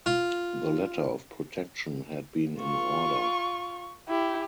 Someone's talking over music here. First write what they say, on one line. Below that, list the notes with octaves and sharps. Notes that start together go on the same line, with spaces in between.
The letter of protection had been in order.
F4
F4 C#6
E4 G4